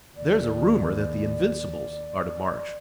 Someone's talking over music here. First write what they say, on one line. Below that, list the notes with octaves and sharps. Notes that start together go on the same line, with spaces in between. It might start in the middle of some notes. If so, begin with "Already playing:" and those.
There is a rumor that the Invincibles are to march.
D#2 D5